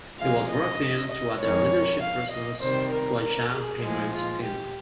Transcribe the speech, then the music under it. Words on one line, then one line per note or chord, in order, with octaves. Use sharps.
He was brought in to add a leadership presence to a young Penguins team.
C3 F3 G#3 F5
D#5
D#5
F2 D#3 G#3 C#5
F5
D#5
C3 D#3 G3 C5
A#4
A#4
G#4
A#2 F3 G#3
F4
G4